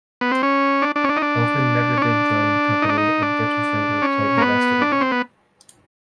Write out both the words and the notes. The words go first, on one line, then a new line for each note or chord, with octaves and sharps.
Elfman never did join the company and Gettelfinger played the rest of the run.
B3
C4
C#4
D4
D4
C#4
D4
D#4
D4
C#4
D4
D#4
D4
D#4
D4
C#4
A#3
B3
D4
C#4
C4
B3